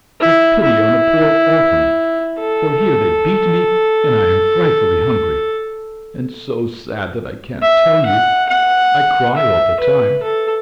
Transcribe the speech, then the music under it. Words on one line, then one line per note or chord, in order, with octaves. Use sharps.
Have pity on a poor orphan, for here they beat me, and I am frightfully hungry, and so sad that I can't tell you, I cry all the time.
E4
E4
A4
E5
F#5
F#5
E5
B4
A4